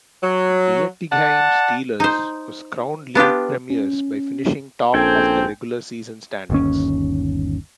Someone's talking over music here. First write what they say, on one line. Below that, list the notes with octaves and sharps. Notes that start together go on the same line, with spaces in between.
Bietigheim Steelers was crowned league premiers by finishing top of the regular season standings.
F#3
D5 F#5 A5
D#4 C5
B3 D4 F4 G4
C#4
A#1 C#3 C4 C#4 A4 G5 G#5
G1 D#2 C#4